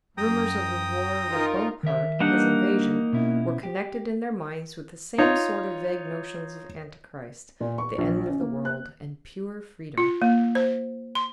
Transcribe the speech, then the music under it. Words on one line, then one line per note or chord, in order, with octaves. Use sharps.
Rumors of the war with Bonaparte and his invasion were connected in their minds with the same sort of vague notions of Antichrist, the end of the world, and "pure freedom."
F#2 G5 A#5 D#6
D#4 F4 A#4
D#3 A#4 E5
G3 A#3 D4 D#4 F#5
B2 C#4 E4
G4
D#4 F4 C#5
A#2
C#6
A#1
C#4
A#3
F#6
F4
A#3
C5
C6